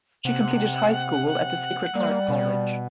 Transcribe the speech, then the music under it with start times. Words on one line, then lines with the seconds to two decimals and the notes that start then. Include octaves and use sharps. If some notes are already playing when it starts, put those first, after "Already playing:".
She completed high school at the Sacred Heart College.
0.25 C3 F#5
1.95 G3 A#3
2.29 B2